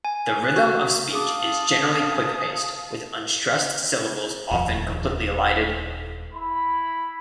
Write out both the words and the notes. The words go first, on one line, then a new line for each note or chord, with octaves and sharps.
The rhythm of speech is generally quick-paced, with unstressed syllables often completely elided.
G#5
F#6
F#4
G#4 F5 A5 D6 D#6
D#1 F2
E4 B5